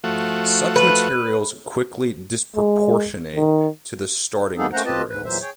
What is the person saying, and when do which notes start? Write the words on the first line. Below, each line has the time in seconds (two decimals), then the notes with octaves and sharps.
Such materials quickly disproportionate to the starting materials.
0.04 F3 A3 F#4
0.76 B4
2.56 G#3
3.36 D#3
4.57 G3 A#3 B3 D#4 G#4 A4
4.73 A3 A#3 C#4 C5 F#5 A#5
4.85 C4 F4 G4 B4 D#5 A5
5.09 D2 G#2 B4
5.25 E2 A#2 E3 F#3 C5 E5
5.40 G#4 C#5 G5